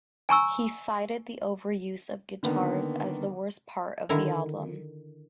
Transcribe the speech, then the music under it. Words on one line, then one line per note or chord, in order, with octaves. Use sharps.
He cited the overuse of guitars as the worst part of the album.
G#5 A#5 C#6 E6
D3 D#3 A#3 B3
D3 D#3 E4 A#4